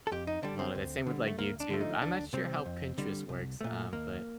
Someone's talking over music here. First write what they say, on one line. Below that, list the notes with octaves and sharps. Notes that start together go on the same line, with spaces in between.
a lot of the same with, like, YouTube. I'm not sure how Pinterest works, um, but
A4
F2 G4
D#4
D3 G3 D4
C4
D2
D3 G3
A3
D2 A#3
D4
D3 F3 A3
D#4
D2 D4
C3 G3 C4
F2
D3 G3
C2
A#2 A3
D#2 A#3